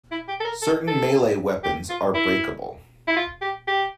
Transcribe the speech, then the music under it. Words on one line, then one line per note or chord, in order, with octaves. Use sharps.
Certain melee weapons are breakable.
E4
G4
A4
A#4
A4
A4
G4
F4
E4
E4
F4
G4
G4